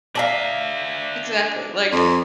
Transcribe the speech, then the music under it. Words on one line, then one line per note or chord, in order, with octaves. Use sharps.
Exactly. Like,
D4 E5 F5 A5 A#5
F2